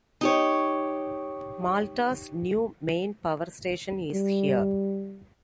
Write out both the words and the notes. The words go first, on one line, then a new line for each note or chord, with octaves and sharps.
Malta's new main power station is here.
D#4 G4 C#5
G3